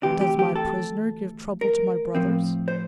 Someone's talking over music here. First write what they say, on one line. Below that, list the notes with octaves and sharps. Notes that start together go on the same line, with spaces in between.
"Does my prisoner give trouble to my brothers?"
D2 C3 E3 G4
G4
G4
A4
A#4
A2 F3 C4
C5